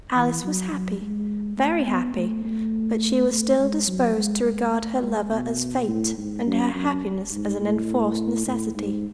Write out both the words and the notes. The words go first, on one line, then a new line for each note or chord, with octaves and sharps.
Alice was happy, very happy; but she was still disposed to regard her lover as Fate, and her happiness as an enforced necessity.
E3
F#3
F#3
G#3
A3
B3
A3
A3
A3
G#3
F#3
G#3
G#3
A3
G#3
B2
A2
G#2
F#2
F#2
G#2
A2
A2
G#2